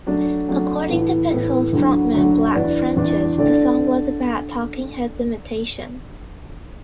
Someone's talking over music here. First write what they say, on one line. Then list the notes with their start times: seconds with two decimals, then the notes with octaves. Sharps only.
According to Pixies frontman Black Francis, the song was a bad Talking Heads imitation.
0.07 F#3 A3 D4
0.48 F#3 A3 D4
0.89 A2 E3 B3
1.30 A2 E3 B3
1.73 D2 D3 F#3
2.14 D2 D3 F#3
2.54 E2 E3 D4 B4 D5
2.96 E2 E3 D4 B4 D5
3.38 D3 A3 D4 A4 D5